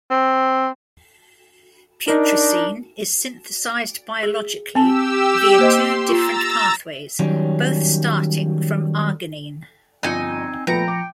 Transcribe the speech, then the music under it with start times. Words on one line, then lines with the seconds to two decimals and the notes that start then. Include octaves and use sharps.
Putrescine is synthesized biologically via two different pathways, both starting from arginine.
0.11 C4
2.08 D4 D#4 A#4
4.23 G#4
4.75 C4 G4 A5 E6
5.59 A#3 C5 D#5 C6
6.09 F4 A#5 E6 A6
7.19 D#3 F#3 G3 C#4
10.03 G1 F3 C4 D#4 D#5 G#5 C#7
10.67 A#2 F3 A3 B3 G5 A#5 B5 C#7
10.88 D6